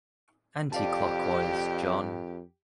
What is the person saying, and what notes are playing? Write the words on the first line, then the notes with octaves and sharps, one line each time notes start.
Anti-clockwise, John.
F2 G4 D5 F5 A5